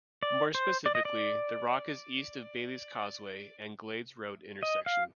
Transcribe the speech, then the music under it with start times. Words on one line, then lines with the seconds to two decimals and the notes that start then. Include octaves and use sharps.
More specifically, the rock is east of the Bailey's Causeway and Glades Road intersection.
0.23 D5
0.55 C5
0.86 D5
0.95 D#5
1.05 D5
4.63 D#5
4.86 F5